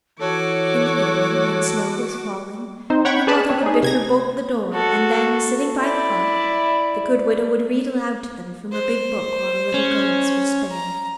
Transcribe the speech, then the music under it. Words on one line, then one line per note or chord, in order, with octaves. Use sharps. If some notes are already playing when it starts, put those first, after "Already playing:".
In the evening, when snow was falling, her mother would bid her bolt the door, and then, sitting by the hearth, the good widow would read aloud to them from a big book while the little girls were spinning.
E3 F#4 A4 C#5 D6
C4 D#4 C5
C#5 F#5 G5 B5 C#6
G#4 B4 D5 A5 B5
C4 D4 C#5
D#4 G#4
C3 G#6 A#6
F#4 A4
E4 D5
C5
C#4
A#5